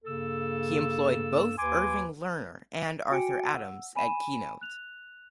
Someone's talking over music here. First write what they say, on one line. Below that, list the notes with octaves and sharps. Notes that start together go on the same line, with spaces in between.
He employed both Irving Lerner and Arthur Adams at Keynote.
G2 C#3 A#3 A4 E6
D#2 B4 G#5 C6 D6
F#4 G5 G#5 D6 C#7 D7
F#5 E6
G#5 B5 D#7 E7
F#6 F7